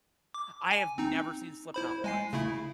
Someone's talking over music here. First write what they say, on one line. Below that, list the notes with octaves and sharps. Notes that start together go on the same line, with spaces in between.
I have never seen Slipknot live.
D6
G#5
C4 D#4
E4 C5 B5
G#3 G#5 C7
C#3 A3 E4